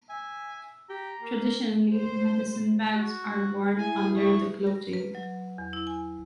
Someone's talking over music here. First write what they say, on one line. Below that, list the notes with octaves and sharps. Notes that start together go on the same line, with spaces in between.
Traditionally, medicine bags are worn under the clothing.
E5 G#5
G4 A#5
A#3
C5
F#4
E4 G#4 G#5
C#6
A#6
B4
F#3
E2
E4
G#5